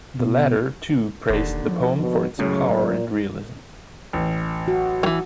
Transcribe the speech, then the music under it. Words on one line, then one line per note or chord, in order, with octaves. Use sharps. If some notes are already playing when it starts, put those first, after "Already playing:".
The latter too praised the poem for its power and realism.
B2
E1 D#2 D3
F3
B2
C#2 F#2 A2 C#3 F#3
A#2
A1
F#4
E3 F#3